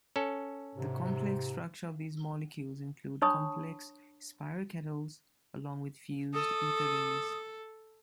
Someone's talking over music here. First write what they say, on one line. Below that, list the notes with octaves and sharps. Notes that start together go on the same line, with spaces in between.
The complex structure of these molecules include multiple spiroketals, along with fused ether rings.
C#4 A4
G#2 C3
D4 C#5 A5 B5 C#6 D#6
A4 D#6